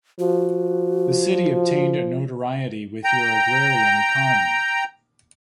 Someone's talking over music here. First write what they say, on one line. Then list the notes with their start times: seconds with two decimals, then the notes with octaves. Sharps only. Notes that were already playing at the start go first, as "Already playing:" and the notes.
The city obtained a notoriety with your agrarian economy.
0.19 F3 F#4
3.04 G5 A#5